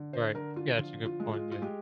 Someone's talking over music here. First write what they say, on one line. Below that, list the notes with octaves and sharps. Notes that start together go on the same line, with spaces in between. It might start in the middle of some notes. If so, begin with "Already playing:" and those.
Right. Yeah, that's a good point, yeah.
Already playing: D3
C5
D3 A#4
F4
F3 F4
F4
G#3
F4
F4
G#3 G4